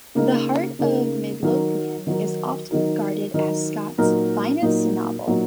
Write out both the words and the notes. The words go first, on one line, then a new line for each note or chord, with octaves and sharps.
"The Heart of Midlothian" is often regarded as Scott's finest novel.
C#3 A#3 D#4 A#4
C#3 A#3 D#4 A#4
D#3 F#3 D#4 A#4
D#3 F#3 D#4 A#4
D#3 F#3 D#4 A#4
D#3 F#3 D#4 A#4
A#2 F#3 D#4 A#4
A#2 F#3 D#4 A#4
A#2 F#3 D#4 A#4